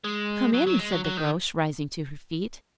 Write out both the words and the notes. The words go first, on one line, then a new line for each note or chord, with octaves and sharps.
'Come in,' said the Groac'h, rising to her feet.
G#3
F#3
F#3
G#3
F#3
F#3
D#3